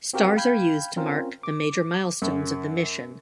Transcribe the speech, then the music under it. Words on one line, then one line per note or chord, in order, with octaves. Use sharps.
Stars are used to mark the major milestones of the mission.
C4 F#4 G4 A#4 F5 G5
F5 G5 B5 G6 G#6
C4 C#4 F4 A#4
D6
F#2